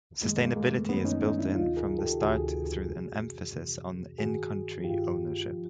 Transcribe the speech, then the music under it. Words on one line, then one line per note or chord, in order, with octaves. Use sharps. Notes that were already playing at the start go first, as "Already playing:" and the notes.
Sustainability is built in from the start through an emphasis on in-country "ownership".
F#2 D#3 G#3 A#3
G#3 A#3
G#3 A#3
A3 B3
F#2 D#3 B3 C#4
C#4 D#4
C#4 D#4
D4 E4
D2 C3 D#3 D#4 F4
G#4 A#4
G4 A4
D2 C3 D#3 F#4 G#4
F2 C3 E3
F2 C3 E3
G2 D#3 F#4 G#4
G2 D#3 F4 G4
F3